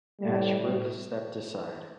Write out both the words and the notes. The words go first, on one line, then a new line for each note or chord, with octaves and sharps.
Ashworth stepped aside.
G3 A3
A2
G3